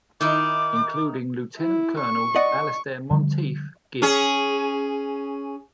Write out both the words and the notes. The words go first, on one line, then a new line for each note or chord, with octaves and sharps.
Including Lieutenant Colonel Alistair Monteith Gibb.
D#3 D#4 E4 D6
E4
C#6
D5 D#5 F#5
D3 F3 G3
C#4 G#4